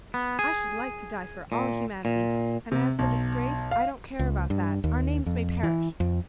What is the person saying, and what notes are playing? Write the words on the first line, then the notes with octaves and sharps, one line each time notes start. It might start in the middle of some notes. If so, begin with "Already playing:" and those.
I should like to die for all humanity, and as for disgrace, I don't care about that--our names may perish.
B3
G#4
A#2
A#2
C3
B1
F5
C#2
G2
D#2
F2
E3
F2